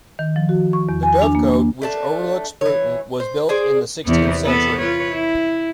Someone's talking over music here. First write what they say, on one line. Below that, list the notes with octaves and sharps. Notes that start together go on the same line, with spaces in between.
The Dovecote which overlooks Bruton was built in the sixteenth century.
D#3
F3
F#4
C#6
E2
G#5
D4
A#3
A#3
A3 D4 A5
E3 C#5
C5
G#4 C5 D5
E2 C3 B3
B3 A4 B4
F4 B4 C#5
E4